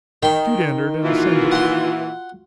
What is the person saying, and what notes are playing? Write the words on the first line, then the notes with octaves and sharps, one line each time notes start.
Jude entered and ascended.
D#3 G5 C6
A#2 E3 F4 F#4
F#5 C6